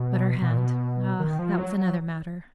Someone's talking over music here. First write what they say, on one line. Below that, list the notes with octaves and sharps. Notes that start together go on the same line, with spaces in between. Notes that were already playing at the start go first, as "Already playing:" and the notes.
But her hand--ah, that was another matter.
Already playing: B2
B2
A#2
B2
D#3
F3
F#3
F#3